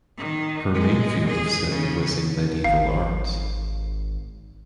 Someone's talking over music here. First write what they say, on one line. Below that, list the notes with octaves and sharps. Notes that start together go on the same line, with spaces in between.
Her main field of study was in medieval art.
D#3
G#3
G#4
C#3
G#1 F5